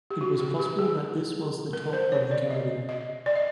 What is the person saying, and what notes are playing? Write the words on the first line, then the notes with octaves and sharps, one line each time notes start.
It was possible that this was the top of the cavity.
G4
F#4
G4
G4
G#4
A#4
C5
C#5
D5
D#5
D#5
D5
D#5